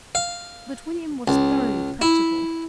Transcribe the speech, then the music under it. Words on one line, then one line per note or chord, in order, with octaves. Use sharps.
But William was thoroughly practical.
F5
C#2
E4